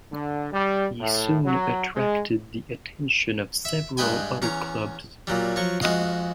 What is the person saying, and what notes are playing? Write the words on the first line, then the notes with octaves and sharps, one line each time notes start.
He soon attracted the attention of several other clubs.
D3
G3
A2
F#3
G#3
E5
G2 G#3 B4 D#5 G5 G#5
E2 C#4 A#5
A#2 F#3 G3
F3 F#3 C#6
F2 G#3 F#4 D#5 F5